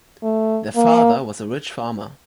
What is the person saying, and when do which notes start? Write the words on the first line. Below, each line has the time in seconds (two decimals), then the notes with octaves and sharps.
Their father was a rich farmer.
0.23 A3
0.76 A#3